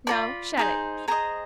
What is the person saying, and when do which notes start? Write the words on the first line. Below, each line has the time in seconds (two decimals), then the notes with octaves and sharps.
No, shut it.
0.07 F4 A4 D5 B5
0.57 D#4 G#4 C5
1.08 G#4 C5 D#5 A#5